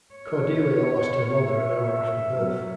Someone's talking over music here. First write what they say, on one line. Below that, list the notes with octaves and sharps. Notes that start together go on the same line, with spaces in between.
Cordelia lost her mother an hour after birth.
C#5
E5
F#3